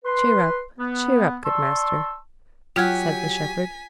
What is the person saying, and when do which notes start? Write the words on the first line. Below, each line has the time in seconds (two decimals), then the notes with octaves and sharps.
"Cheer up, cheer up, good master," said the shepherd.
0.05 B4 C6
0.79 B3
1.44 D5 A5 C6 C#6 E6
2.76 F#3 F4 G4 F#5 G#5 F6 G#6 B6